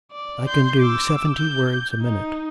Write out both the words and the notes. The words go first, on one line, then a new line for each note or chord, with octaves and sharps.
I can do seventy words a minute.
D5
C6 G6
D6 E6
G6
D#4